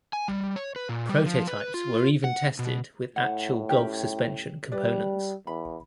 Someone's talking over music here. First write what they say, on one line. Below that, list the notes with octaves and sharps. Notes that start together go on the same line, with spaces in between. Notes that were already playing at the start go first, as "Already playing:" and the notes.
Prototypes were even tested with actual Golf suspension components.
G#5
G3
C#5
B4
A#2
G3
F3
B4
F4
F#5
B2
A2 F#5
C#4 G4 G5
G3 B4 D5
E2 B5